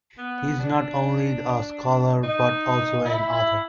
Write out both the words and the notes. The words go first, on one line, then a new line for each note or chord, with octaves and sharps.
He is not only a scholar, but also an author.
B3
D4
D#4
E4
E4